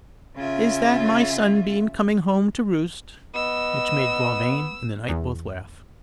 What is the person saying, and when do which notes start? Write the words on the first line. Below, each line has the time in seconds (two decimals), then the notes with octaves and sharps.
"Is that my sunbeam coming home to roost?" which made Gauvain and the knight both laugh.
0.36 C#3 F4 E5
3.35 B3 D#5 E6
5.09 E2